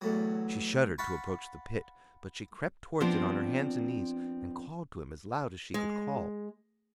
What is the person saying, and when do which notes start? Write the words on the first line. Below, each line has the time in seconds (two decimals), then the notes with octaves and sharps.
She shuddered to approach the pit; but she crept towards it on her hands and knees, and called to him as loud as she could call.
0.01 E2 A2 F#3
0.98 F5 F#5 A5 B5 C#6
3.00 F3 B3 C4 D4
5.74 G#3